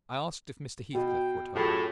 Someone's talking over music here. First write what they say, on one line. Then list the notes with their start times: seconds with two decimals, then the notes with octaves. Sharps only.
I asked if Mr. Heathcliff were at home?
0.95 B2 F#4 G5
1.56 F#2 A2 F4 G4 G#4